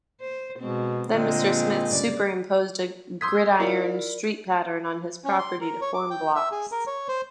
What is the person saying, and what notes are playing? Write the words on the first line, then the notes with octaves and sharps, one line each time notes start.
Then Mr. Smith superimposed a gridiron street pattern on his property to form blocks.
C5
B2 G#3 C4
A#2 D3 G#3 C4
G2 C#3 D5
C6 D#6 E6 G6 G#6 B6
E4 F4 A#4 D5
C#4
C6
A#4
C#5
D6
G5
E5
G#4
A#4
C#5
C5